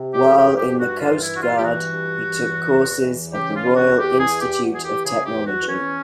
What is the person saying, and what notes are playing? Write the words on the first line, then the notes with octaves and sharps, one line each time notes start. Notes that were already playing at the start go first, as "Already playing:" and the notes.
While in the coast guard he took courses at the Royal Institute of Technology.
Already playing: C3
G4
F2
G4
F2
G4
G2 F#4
F4
E3
E4
G2 F#4
F4
G4
E3 F#4
G2
E3
E2
E2
E3
C#3 G4
F4
E2
F#4
E2
G4
E2 G#4
G4
E2
F#4
E3 G#4
G4
C#3 G#4
G4
E2
F#4
E2
C#4